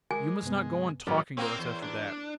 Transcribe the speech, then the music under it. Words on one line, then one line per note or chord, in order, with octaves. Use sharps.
You must not go on talking to us after that.
G#3 A#4 G#5 D6
G2 C3 B3
A1 F#3 A3 F4 A#4 B4 D#5 D6
A#3 C4 C#4 C5
E2
D4